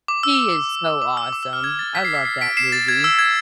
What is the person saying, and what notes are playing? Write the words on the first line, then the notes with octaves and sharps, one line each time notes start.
He is so awesome. I love that movie.
D6
E6
D6
E6
D6
E6
F6
G#6
A6
B6
C7
B6
C7
B6 D7
C7 E7
A6
G#6
E6
G#6